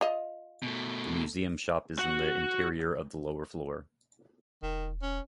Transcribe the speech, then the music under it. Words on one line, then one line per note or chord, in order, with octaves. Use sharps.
The museum shop is in the interior of the lower floor.
F4 D#5
B2 A3
F#4 F#5
E1 D#3
C#4